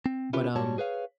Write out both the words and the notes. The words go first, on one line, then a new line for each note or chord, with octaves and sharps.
but, um
C4
C#4 E4 F4 G4 A#4 B4
G#2 G3 F#4 C#5 A5
G#4 B4 C#5 F5